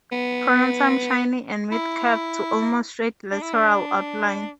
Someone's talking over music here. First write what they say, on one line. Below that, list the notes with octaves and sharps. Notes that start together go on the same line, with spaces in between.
Pronotum shiny and with curved to almost straight lateral outline.
B3
E4
D4
E4
D4